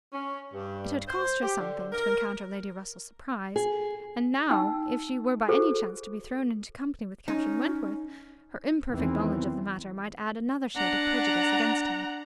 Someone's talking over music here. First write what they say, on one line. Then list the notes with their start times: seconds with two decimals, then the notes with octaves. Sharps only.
It had cost her something to encounter Lady Russell's surprise; and now, if she were by any chance to be thrown into company with Captain Wentworth, her imperfect knowledge of the matter might add another shade of prejudice against him.
0.13 C#4
0.54 G2
1.08 C5
1.43 G4
1.60 D3
1.93 A#4
3.56 G#4
4.51 D#4 G5 E6
5.48 F#4 G#4 A4 C5
7.28 C#4 D#4
8.90 E2 D#3 E3 C4
10.76 D4 F#5 A#5